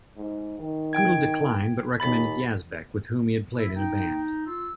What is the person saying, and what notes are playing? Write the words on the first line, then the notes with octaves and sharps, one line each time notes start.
Guettel declined, but recommended Yazbek, with whom he had played in a band.
G#2
D#3
G5 G#6
D#2 B5 A6
E4
D#4 G5
F4 E6